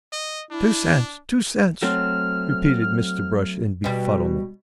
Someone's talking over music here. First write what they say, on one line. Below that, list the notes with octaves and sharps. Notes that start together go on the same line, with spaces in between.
"Two cents, two cents," repeated Mr. Brush in befuddlement.
D#5
D4 E4
F#3 A3 C4 F6
B2 G3